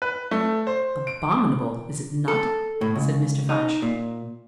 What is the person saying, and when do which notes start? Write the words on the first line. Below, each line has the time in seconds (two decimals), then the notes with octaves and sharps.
"Abominable, is it not?" said Mr. Fyshe.
0.02 B4
0.31 A3
0.67 C5
1.07 D7
2.28 A4
2.81 A2
2.95 C#2
3.49 D#4
3.82 A#2